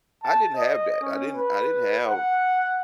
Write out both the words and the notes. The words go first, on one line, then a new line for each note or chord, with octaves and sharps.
I didn't have that I didn't I didn't have
A5
D#5
C#4
B4
F#5